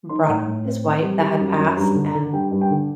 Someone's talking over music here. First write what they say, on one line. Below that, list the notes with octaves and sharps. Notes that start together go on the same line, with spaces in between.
brought up his wife that had passed, and,
D#4 C6
A2
A2
C4
C4
G3
G3
F#2
F#2
G2 A#5
D3
A#5
D3
G2 G5
G2
G5
D3